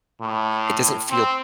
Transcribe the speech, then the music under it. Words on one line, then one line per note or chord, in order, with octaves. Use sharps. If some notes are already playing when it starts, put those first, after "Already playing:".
it doesn't feel
A2
C4